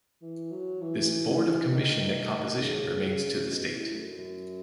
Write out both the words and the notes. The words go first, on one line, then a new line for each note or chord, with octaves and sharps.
This board of commission composition remains to this date.
E3
F#3
E3
D#3
C#3
B2
A2
F#2
F#2